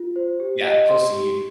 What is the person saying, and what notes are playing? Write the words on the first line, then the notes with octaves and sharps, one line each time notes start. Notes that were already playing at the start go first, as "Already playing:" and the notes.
Yeah, close to you.
Already playing: F4
C5
G4
D#5
C6
G4